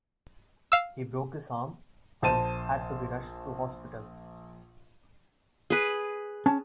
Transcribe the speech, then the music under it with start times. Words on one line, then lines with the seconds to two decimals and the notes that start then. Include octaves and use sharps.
He broke his arm and had to be rushed to hospital.
0.72 F5 E6
2.22 A#1 C5 A5 D#7
5.70 G#4 B4
6.46 C#4 A5